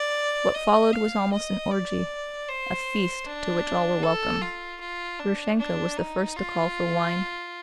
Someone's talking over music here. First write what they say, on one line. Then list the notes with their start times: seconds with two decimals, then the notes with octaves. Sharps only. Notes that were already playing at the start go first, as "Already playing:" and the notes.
What followed was almost an orgy, a feast to which all were welcome. Grushenka was the first to call for wine.
Already playing: D5
0.54 D#5
0.93 F5
1.32 D#5
1.71 D5
2.49 C5
3.26 D4
4.03 A4
4.42 F4
4.80 F4
5.19 D4
5.58 D4
5.97 D#4
6.36 F4